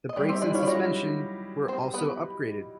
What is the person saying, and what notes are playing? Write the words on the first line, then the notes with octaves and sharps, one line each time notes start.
The brakes and suspension were also upgraded.
D#5
G3 D4 G4 D5
C4 C5
D#4
D4 E4 D5
C#4 F4 C#5
D5
F#3 C#4 F#4 C#5
C4 C5
B3 B4